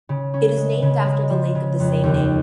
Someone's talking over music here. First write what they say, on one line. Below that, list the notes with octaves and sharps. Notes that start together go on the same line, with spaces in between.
It is named after the lake of the same name.
C#3
C#4
G#3
C#3
G#3
F3
C#3
F2
D#2